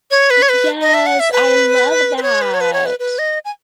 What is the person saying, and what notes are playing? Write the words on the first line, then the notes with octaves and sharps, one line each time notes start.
Ec yes, I love that.
C#5
B4
C#5
B4
D#5
E5
F#5
E5
B4
B4
C#5
B4
C#5
B4
C#5
B4
B4
D#5
G#5